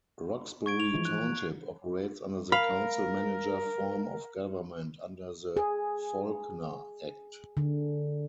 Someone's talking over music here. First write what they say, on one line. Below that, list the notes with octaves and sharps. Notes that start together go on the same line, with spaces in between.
Roxbury Township operates under the Council-Manager form of Government under the Faulkner Act.
C#6 G#6 D7
F7
E3 F3 G#3
F#6
A#4 F5 B5
G#4
D3